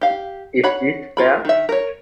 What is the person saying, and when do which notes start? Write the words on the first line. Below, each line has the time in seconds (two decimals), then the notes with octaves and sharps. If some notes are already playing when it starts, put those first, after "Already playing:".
Is this fair?
0.01 G4 F5
0.64 C#5 F#5 B5
1.17 F4 A#4 B5
1.45 D#3 E5
1.69 A#4 C#5